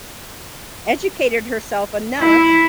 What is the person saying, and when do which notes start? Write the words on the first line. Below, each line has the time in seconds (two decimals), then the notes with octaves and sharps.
educated herself enough
2.19 E4